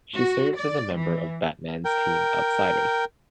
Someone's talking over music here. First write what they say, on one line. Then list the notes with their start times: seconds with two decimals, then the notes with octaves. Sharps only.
She serves as a member of Batman's team Outsiders.
0.15 F#4
0.56 D5
0.95 E3
1.85 A#4 G5